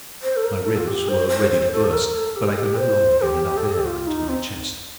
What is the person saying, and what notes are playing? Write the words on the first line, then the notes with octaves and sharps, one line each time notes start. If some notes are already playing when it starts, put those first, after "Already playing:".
My ribs were ready to burst, but I could no longer get enough air into my chest.
C5
A4
A#4
A4
F4
G4
C5
C5
C5
A4
A#4
A4
G4
A4
G4
C5
G4
A4
G4
A4
G4
F4
D#4
C4